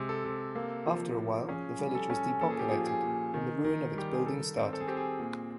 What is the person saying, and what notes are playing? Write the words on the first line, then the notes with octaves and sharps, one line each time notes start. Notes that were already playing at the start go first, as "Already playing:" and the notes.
After a while, the village was depopulated and the ruin of its buildings started.
Already playing: C3 G#3 G#4
A4
C3
A#3
F3
F3
C#4 G#4
G3
A4
C#4
A#2 A4
G#4
G4
F3 G#4
G#4
A#2
D#3
D#3
G3 G4
G#4
D#3 A4
C4
A4
G#4
C4 G4
G#4
A#2